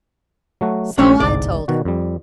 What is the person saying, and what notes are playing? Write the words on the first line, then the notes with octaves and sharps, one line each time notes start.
'So I told him.
F#3 A3 F#4
A#1 A3 C#4 D4 G4
G1 C2 G#2 D5
B2 D#3 F#4
F2 G3